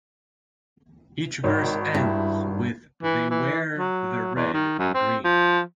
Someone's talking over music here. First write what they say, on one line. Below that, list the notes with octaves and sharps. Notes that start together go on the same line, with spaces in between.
Each verse ends with, "They wear the Red and Green".
G#1 D#3 C#5
G2 E4
E3
E3
F#3
E2
D#3
F#2
C4
F3